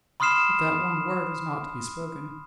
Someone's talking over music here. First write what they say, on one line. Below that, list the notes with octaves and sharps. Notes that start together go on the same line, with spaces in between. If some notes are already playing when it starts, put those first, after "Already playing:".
But that one word was not to be spoken.
B5 C6 D#6 F6 C7 E7